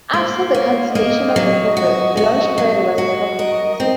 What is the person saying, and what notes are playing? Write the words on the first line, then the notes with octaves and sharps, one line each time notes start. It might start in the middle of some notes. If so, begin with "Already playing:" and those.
After the cancellation of the program the launch pad was never completed.
A#3 C5
A#3 C#5
A#3 D#5
F#3
F#4
F#4
F#3
F#4
A#4 D#5
C4